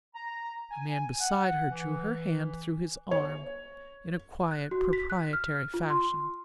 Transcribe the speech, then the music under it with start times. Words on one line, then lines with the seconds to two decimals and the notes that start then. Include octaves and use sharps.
A man beside her drew her hand through his arm in a quiet proprietary fashion.
0.15 A#5
0.71 G#5
1.21 F#5
1.71 E3
3.11 C#5
4.51 F#6
4.71 F#4
4.93 B6
5.10 F#6
5.33 F6
5.74 F4
5.90 C6